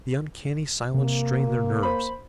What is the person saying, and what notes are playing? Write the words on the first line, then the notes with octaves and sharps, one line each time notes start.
The uncanny silence strained their nerves.
C3 A#3
C5 B5